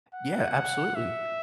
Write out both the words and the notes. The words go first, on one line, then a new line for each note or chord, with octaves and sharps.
Yeah, absolutely.
F#5
E5